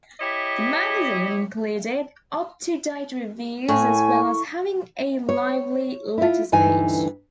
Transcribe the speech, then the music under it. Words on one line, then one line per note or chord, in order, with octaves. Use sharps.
The magazine included up-to-date reviews, as well as having a lively letters page.
E4 G4 C#5 D#5
A2 G#5 C#6
C#5
E4 F4
D2 G2 E3 D#4 G#5